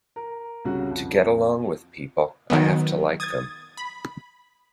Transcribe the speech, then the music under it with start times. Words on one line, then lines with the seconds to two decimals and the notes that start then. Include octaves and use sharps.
To get along with people I have to like them.
0.16 A#4
0.65 C2 C#3 F#4
0.91 F2
2.50 D#3 F#3 B3
3.20 D#6 G#6 A6
3.77 B5